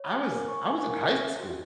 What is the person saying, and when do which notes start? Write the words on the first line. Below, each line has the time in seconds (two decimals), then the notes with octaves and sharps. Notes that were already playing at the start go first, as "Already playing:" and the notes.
I was I was in high school,
Already playing: C#5
0.11 G#5
0.29 A#4
0.48 C#6
0.67 G#5
0.85 A#4
1.03 A#4
1.22 E5
1.39 F#4